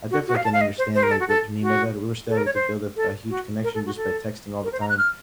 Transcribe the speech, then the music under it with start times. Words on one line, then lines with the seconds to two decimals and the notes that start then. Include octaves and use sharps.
I definitely can understand, like, what you mean by that, we were still able to build a f a huge connection just by texting all the time.
0.11 F#4
0.28 F#4
0.36 F5
0.45 A5
0.53 F5
0.61 D#5
0.78 C5
0.95 C5
1.03 A#4
1.11 A4
1.20 F#4
1.28 A4
1.62 F#4
2.29 A4
2.37 A#4
2.46 C#5
2.55 C5
2.96 A4
3.30 F#4
3.64 A#4
3.74 A4
3.86 F#4
3.97 A4
4.64 A#4
4.72 C5
4.81 A#5
4.89 F#6
4.98 F6